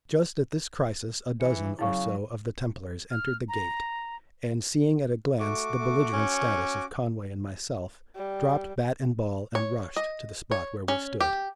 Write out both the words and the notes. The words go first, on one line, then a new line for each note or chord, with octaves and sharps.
Just at this crisis a dozen or so of the Templars entered the gate, and, seeing at a glance the belligerent status of Conway and myself, dropped bat and ball, and rushed to the spot where we stood.
E3 C#7
C#3 F#3 E4 F5 C#6
F6
A#5
A3 F#4 D6
A3
C#4
G3
C#5
D#5
C#5
C#4
G4